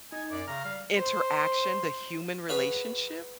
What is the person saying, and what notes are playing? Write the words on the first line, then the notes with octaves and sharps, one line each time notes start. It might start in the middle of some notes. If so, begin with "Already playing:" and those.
interaction, the human relationship?"
D#4 G#5
F#2 D5
C#3 A#5 F6
G3 F5
C5
F#4 G#4 B4 C#5 F5 B5